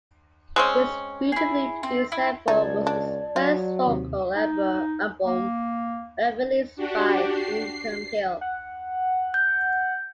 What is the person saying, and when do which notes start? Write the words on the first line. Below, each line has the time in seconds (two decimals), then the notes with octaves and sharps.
This beautifully produced effort was the first vocal album ever released by Windham Hill.
0.56 G#3 C4 C#4
1.32 E4 G#4
1.83 C4
2.12 E4
2.48 C#2 D#4 D5 A5 G#6
2.87 D4
3.36 F#3 F4
3.86 D#2 C3
4.36 D#4
5.25 A#3
6.76 D4 F#4 G4
7.32 C7
8.41 F#5
9.34 G6